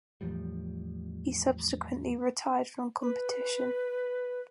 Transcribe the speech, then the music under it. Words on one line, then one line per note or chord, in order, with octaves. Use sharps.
He subsequently retired from competition.
E2 A2 F3 G3
B4